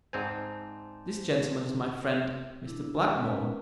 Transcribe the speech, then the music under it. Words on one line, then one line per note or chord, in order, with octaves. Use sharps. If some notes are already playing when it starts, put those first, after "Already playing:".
This gentleman is my friend, Mr. Blackmore.
G#2 C4 C5 D5 G#5 A5
D4 E4
G#3 C#4 A#4 B4